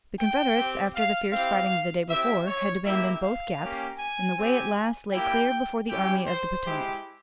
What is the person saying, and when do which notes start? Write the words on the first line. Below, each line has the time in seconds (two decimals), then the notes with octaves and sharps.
The Confederates, after the fierce fighting of the day before, had abandoned both gaps, and the way at last lay clear before the Army of the Potomac.
0.19 G5
0.56 C4 G4
0.94 F5
1.32 C4 E4 G4 F5
2.09 C4 E4 G4 E5
2.47 C#5
2.84 A#3 E4 G4 E5
3.23 F5
3.61 A#3 C#4 G4
3.99 G#5
4.37 C4 G4
5.12 A#3 E4 G4 G5
5.89 G3 C#4 E4 G4 G5
6.27 C5
6.65 G#3 E4 G4